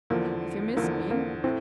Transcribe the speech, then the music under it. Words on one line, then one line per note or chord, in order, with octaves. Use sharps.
'Have you missed me?'
E2 D3 F3 A#3
E2 D3 F3 A#3
A#3
A2 C4